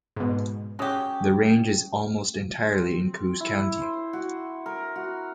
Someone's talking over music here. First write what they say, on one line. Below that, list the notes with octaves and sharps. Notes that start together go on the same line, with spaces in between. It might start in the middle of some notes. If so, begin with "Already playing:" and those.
The range is almost entirely in Coos County.
G#2 B2
F#3 C#4 G4 G#4 C#5
C4
E4
C5
F#4
A#4
F#4